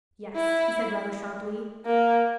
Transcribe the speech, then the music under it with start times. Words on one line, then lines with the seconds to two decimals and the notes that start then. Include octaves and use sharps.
"Yes," he said rather sharply.
0.36 E4
1.86 A#3